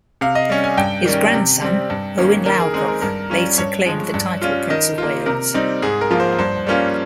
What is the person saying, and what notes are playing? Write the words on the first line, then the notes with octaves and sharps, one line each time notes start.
His grandson, Owain Lawgoch, later claimed the title Prince of Wales.
C3 F5
D#5
G3 C#4
G#5
G2 G5
D#3 G3 C#4
C3
G3 C4
G2
D#3 A#3 C#4
D#3 A#4
G#4
G#3 C4 D#4 G#4
A#4
G2 A#4
G3 C#4 F4
G2 C#5
F3 G#3
G2
G3 C#4 F4
D#3 D#5
A#3 F4
C3 A#4
G3 C4 D#4
G#2 G#4
A#4
F3 A#3 F4
C5
G2 C5
G3 A#3 C#4 F4